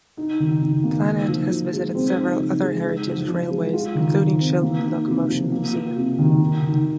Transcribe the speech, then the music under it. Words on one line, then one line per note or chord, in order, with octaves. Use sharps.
"Planet" has visited several other Heritage railways including Shildon Locomotion Museum.
D#4
D#3
D#3
A#3
D#4
F3
F3
G#3
C4
D#4
F3
G#3
D#4
F3
F3
G#3
F4
D#3
D#3
C4
A#3
D#4
C3
F3
A#3
F4
C3
D#3
D#4
D#3